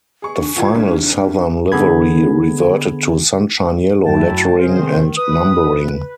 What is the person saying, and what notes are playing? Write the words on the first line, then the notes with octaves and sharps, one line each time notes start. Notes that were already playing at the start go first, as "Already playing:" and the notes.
The final Southern livery reverted to 'Sunshine Yellow' lettering and numbering.
G#4 C#6
D4
C#2 E3 F4 G#6
C2 D4
D4
D3 B3 G#4 B5 G#6
F#2 F#3 A3 E4 G5 A5
C3 G#4 A#4 C5 F5
D#3
B4 D#6